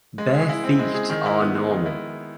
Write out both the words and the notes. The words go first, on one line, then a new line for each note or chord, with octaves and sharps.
Bare feet are normal.
G#3
G#4
E4
C4
G#3
G#4
D#3
E4
B3
G#3
D#3
E4